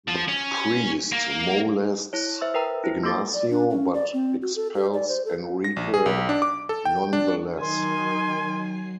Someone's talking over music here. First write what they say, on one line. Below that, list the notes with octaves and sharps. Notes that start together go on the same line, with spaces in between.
The priest molests Ignacio, but expels Enrique nonetheless.
F3
C#4
A#3
E4 C#5
C5 E5 E6
A#4 B4 G5 A#5
E4 C5
A#3 G4 A4 D6 A6
D5
D4
C#4
D5
C4
F#4
A4
G4
D5
C5
A4
A#6
A#1
G#4
B1
D4
D6
A4
G5
D4
D#3 F#3 G#5 C6 C7